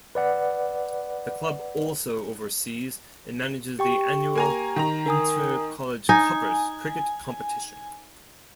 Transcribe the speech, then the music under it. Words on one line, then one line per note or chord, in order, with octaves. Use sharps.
The club also oversees and manages the annual inter-college 'Cuppers' cricket competition.
B4 D5 F#5
G4 G5 C#6
A#3 G#5 A#5
D#3 A#5
A#4 G#5 D#6
D#4 G#5